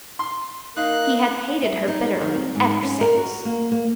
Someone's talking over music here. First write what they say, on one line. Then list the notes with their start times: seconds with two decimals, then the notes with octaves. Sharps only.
He had hated her bitterly ever since.
0.19 C6
0.77 A#3 D#4 F5 F#6
1.63 E5
1.88 D#4
2.22 D#3
2.35 C4
2.55 G#2
2.83 C#4
3.01 A#4
3.17 F#4
3.45 A#3
3.72 A#3